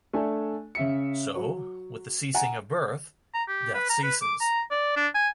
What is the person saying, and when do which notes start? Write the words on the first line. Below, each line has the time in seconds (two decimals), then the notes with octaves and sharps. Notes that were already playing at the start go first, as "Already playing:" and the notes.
So, with the ceasing of birth, death ceases.
0.13 A3 D4 A4 G#5
0.75 C#3 E5 C#7
1.36 F#3
2.35 F#5 G#5 A#5
3.34 A#5
3.48 G4
3.74 B4
3.90 A#5
4.03 B4
4.22 D6
4.40 A#5
4.71 D5
4.96 D4
5.14 G#5